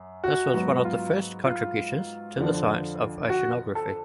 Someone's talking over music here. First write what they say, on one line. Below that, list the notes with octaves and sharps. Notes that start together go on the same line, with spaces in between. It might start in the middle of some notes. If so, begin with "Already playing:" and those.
This was one of the first contributions to the science of Oceanography.
Already playing: F#2
F#4
G#2 F#3 B3 F#4
F4
F4
F2 D3 F3
F#4
A4